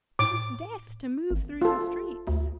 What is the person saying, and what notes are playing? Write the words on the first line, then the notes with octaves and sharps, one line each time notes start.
It is death to move through the streets!'
A2 D6
G#1
F4 A4
D2